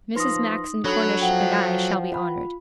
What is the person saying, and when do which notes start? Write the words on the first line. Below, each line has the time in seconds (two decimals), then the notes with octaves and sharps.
Mrs. Max and Cornish and I shall be honored.'
0.16 F3 D#4 B4 C6 D#6 A#6
0.84 F#3 D4 A4 C#5 B5
1.22 F3 A4 F#5 G5
2.12 F4 B5